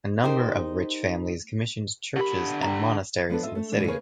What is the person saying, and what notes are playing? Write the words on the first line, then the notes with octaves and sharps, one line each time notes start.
A number of rich families commissioned churches and monasteries in the city.
D#4 G4 A#4 C5
D3 G4 A#4 B5
G5 A#5
F3 B3 D4 A4
F4 D#5 E5
A3
D#2 G#2 B2 E3 G#3 D4
C#3 A#3 G#4 A#4 B4 C#5